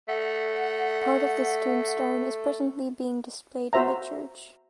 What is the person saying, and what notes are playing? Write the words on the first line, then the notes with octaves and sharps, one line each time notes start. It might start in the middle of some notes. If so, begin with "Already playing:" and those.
Part of this tombstone is presently being displayed in the church.
A3 F#5
F#4 C5 E5 A#5